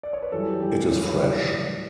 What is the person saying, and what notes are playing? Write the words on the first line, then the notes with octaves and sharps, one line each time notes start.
It is fresh.
D5
C#5
B4
F#2 E3 G3 A4
G4
F#2 E3 G3 G4
G4
F#2 E3 G3 C#5
B4
F#2 E3 G3 C#5
D5
A2 G3